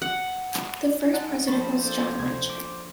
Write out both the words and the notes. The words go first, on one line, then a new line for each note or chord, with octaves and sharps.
The first president was John Archer.
F#5
G#3 D#4 F#5 A5
F3 A#3 C4 C5 D#5 A5 B5 C#6
D4 A4 F5
D2 C3 G#6
D6